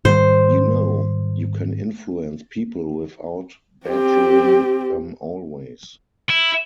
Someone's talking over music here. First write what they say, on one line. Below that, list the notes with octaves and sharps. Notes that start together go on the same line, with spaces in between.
You know, you can influence people without badgering them always.
G#2 D#3 G3 C5
C4 G4
E4